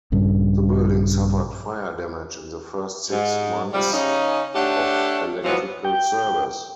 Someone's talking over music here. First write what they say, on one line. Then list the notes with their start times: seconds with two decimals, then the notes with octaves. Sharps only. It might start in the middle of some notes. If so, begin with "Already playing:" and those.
The building suffered fire damage in the first six months of electrical service.
0.12 A#1 G2 C#3
3.10 G#2
3.73 C3 F3 G3
3.93 C#3 C#4 D#4
4.55 A3 D4 G4 C#5 F#5
5.44 E2 G#2 F3 F#3 B3
5.85 G5